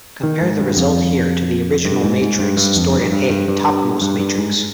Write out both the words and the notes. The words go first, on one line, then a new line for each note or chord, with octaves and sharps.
Compare the result here to the original matrix stored in A, topmost matrix.
D#3
G#2
G2
F2
G2
G#2
G#2
G2
G2
F2
G2
G2
G2
G2
G2
G2
G#2